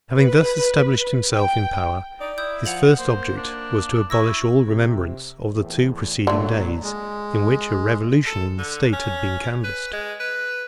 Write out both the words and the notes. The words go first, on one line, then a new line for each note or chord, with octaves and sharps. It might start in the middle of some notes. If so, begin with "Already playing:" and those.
Having thus established himself in power, his first object was to abolish all remembrance of the two preceding days, in which a revolution in the state had been canvassed.
B4
G5
D#4 D5
E4 D#6 G6
F3 F#5 F7 F#7
A#3 C5
D4
E4 C#6 E6 A#6
C3
E2 A2
A#2 D3 F#3 A3
G#3
A4
D3
C#4
B4
G#3
B4